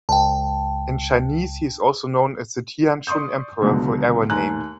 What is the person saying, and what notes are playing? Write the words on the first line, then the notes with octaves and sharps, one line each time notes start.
In Chinese he is also known as the Tianshun Emperor for era name.
C#2 G5 A5
D5 C6 C#6 D#6 G6
C#2 F#2 B2 D3
D#2 A3 G#5 A#5 F#6